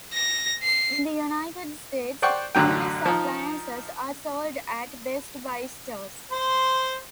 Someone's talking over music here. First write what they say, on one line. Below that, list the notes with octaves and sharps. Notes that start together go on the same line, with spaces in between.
In the United States, Inglis appliances are sold at Best Buy stores.
A#6
C7
C5 D5 F#5 G5 C#6
A1 F#2 D3 F#3 G5
F3 D#4
C5 C6